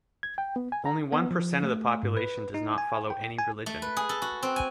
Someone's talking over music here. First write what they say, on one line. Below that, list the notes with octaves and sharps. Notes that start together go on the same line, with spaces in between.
Only one percent of the population does not follow any religion.
G#6
G5
B3
G#5
A#5
B3
F3
A3
G#2
B4
D#4
G#5
G5
G#5
A3
B4
G#4
A4
F#4
C4
G#5